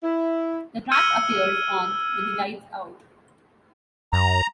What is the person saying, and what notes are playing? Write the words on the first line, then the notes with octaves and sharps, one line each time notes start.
The track appears on "With the Lights Out".
E4
E6 F6 G#6 C#7 D#7
F#2 A#5